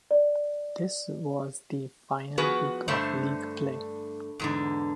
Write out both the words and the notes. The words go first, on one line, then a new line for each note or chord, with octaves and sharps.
This was the final week of league play.
D5
F3 B3 F#4 G#4 B4
G2 D3 A3 C5 E5
E2 G#2 D3